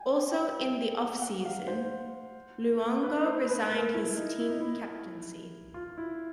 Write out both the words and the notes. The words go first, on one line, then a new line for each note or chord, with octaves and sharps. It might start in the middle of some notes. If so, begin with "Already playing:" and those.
Also in the off-season, Luongo resigned his team captaincy.
Already playing: G5 G#5
G5
F#5
F#5
F5
C5
B4
C5
B4
A#4
E4
D#4
E4
D#4
E4
F4
E4